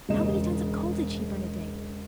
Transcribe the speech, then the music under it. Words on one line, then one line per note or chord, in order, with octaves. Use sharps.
How many tons of coal did she burn a day?
E1 C#2 D#5 E7